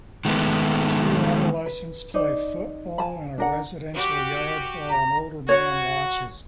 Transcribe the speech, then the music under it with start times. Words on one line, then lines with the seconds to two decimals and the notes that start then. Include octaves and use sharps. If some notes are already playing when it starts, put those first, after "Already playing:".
Two adolescents play football in a residential yard while an older man watches.
0.25 D#3 G#3 A3 B3
1.66 B4
2.14 D#4 C5 D5
2.98 G#5 A5 B5
3.38 D4 A#4 F#5
3.94 F#4 G4
4.90 A#5
5.49 F#4 C#5